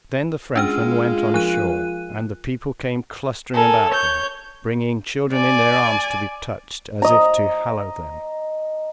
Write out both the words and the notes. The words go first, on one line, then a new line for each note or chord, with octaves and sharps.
Then the Frenchmen went on shore, and the people came clustering about them, bringing children in their arms to be touched, as if to hallow them.
G#3 C#4 D4 F4 F6
F3 F#6 D#7
A4 A#4 G#5
C#5 C#6 G6
D5 G#5
D#5 A#5